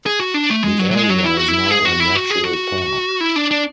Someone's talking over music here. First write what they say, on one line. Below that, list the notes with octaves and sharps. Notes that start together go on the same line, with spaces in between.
The area is now a Natural Park.
G#4
F#4
D4
A3
G#3
F#3
F#3
G#3
F#3
E4
F#4
E4
G#4
F#4
E4
F#4
G#4
F#4
E4
D4
D4